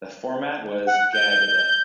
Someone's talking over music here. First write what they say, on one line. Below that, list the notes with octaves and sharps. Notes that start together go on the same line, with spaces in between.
The format was "gag-a-day".
F#5
G6